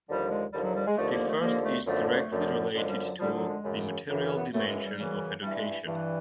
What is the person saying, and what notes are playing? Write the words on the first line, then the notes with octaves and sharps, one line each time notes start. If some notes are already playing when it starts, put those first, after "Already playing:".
The first is directly related to 'the material dimension' of education.
D#2 D3 F3 G3
G#3
D#2 D3 F3 G3
F#3
G3
G#3
D#2 D3 F3 A3
A#3
A3
D#2 D3 F3 A#3
A3
F#2 D3 F3 A3
A3
F#2 D3 F3
F#2 D3 F3 G#3
G3
F#3
F#2 D3 F3 G3
F#3
G#3
F#2 C#3 E3
F#2 C#3 E3
C#4
B3
F#2 C#3 E3 A3
G#3
G3
F#2 C#3 E3
G2 E3 G3
G#3
G2 E3